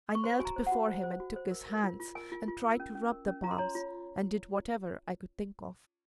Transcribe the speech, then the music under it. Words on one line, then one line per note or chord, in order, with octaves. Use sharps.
I knelt before him and took his hands, and tried to rub the palms, and did whatever I could think of.
C#6
C5 C6
F#4 G#5
A#5
C5
F#5
F#4
C5
C5
F#4
C5
A#4
A#4
F4
F4
A#4 G#5
F4
F4
A#4
C#4
C#4
A#4
C#4
F4 A#5
C6
C#5 A#5
F4